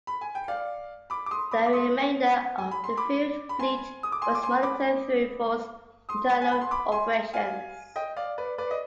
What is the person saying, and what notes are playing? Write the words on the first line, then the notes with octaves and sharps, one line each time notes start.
The remainder of the field fleet was monitored through Ford's internal operations.
B5
G#5
G5
D5 F5
B5 D6
D6
C6 D#6
B5 D6
D6
C6 D#6
G#5
B5
C6
B5 D6
B5
G#5 C6
D#6
D6
G#5 C6
D6
G#5 C6
B5 D6
C6 D#6
G#5
B5
C6
B5 D6
G#5 C6
F5 G#5
D#5 G5
D5 F5
B4 D5
B4 D5
D#5